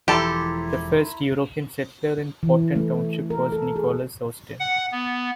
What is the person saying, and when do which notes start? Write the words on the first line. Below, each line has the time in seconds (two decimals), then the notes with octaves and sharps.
The first European settler in Potton township was Nicholas Austin.
0.08 E1 E3 F3 E4 G4 A4 A#5 C6
2.43 E3
2.76 A3
3.30 A#4
3.52 A4
3.76 G#4
4.60 F#5
4.92 B3